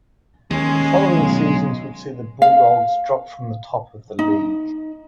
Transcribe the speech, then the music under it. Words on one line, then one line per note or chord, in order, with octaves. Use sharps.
The following seasons would see the Bulldogs drop from the top of the league.
D#2 G#3 C#4
B1
F5
D#4